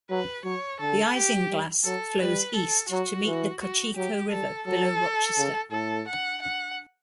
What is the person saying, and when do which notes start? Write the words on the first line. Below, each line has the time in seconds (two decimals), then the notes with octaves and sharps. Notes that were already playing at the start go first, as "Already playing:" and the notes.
The Isinglass flows east to meet the Cochecho River below Rochester.
0.10 F#3 B4
0.44 F#3 C#5
0.80 D3 A4
1.16 G4
1.50 G3
1.85 F#3 A4
2.20 G3 B4
2.56 A4
2.90 F#3 F#4
3.26 E3
3.60 F#4
3.96 F#3 G4
4.31 G3 A4
4.66 F#3 A4
5.37 C#3
5.71 A2 A4
6.07 F#5
6.42 F#5